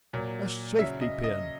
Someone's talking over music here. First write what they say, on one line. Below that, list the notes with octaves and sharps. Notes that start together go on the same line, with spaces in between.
A safety-pin! ...
A#2 F#3
C#3 F#3 E5
D#5
D#5